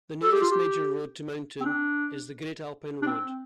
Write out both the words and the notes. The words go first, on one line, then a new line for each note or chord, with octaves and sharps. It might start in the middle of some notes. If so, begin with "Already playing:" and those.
The nearest major road to mountain is the Great Alpine Road.
A4
G4
F4
G4
C4
D4
D4
C4